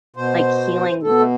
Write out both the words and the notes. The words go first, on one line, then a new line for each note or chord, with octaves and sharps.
like healing
B2 C5
B2 A4
A3